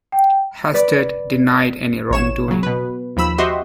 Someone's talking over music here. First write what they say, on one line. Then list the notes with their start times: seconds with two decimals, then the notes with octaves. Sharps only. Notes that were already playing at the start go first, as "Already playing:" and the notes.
Hastert denied any wrongdoing.
0.12 G5
0.74 B4 D5
2.11 A1 C#5 E7
2.48 C#3 F#3
2.63 B2 B4
3.17 D#2 F3 B5 E6
3.38 C4 F#4 G4 D#5 E5 C6